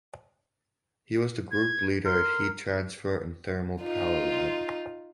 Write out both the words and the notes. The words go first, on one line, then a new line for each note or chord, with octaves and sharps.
He was the group leader at Heat Transfer and Thermal Power Lab.
G#6
A#4 C6
D#4 F4